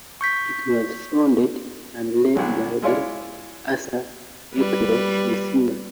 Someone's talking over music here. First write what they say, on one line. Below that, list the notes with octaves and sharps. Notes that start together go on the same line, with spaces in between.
It was founded and led by the author Yukio Mishima.
C#6 G6 B6
C2 D3 F#3 G#3
G#3 E4 F4 C#5 D5
G3 B4